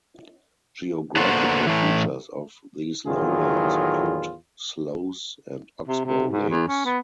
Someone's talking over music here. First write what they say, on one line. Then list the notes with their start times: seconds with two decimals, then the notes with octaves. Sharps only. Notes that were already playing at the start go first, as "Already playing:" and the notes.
Geographical features of these lowlands include sloughs and oxbow lakes.
1.16 D3 A#3 B3 F#4 A4 C5
1.67 A2 E3
3.07 E2 A2 D#3 F#3 F4 G#4
5.87 C3
6.05 C3
6.32 G#2
6.49 E2
6.68 C#4
6.85 B3